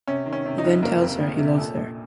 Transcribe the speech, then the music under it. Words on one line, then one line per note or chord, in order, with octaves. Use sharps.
He then tells her he loves her.
C3 C#4
D#3
C#4
C3
D#4
F1
F#1 A#3
F2
F2
C3
A#2 A4
A#1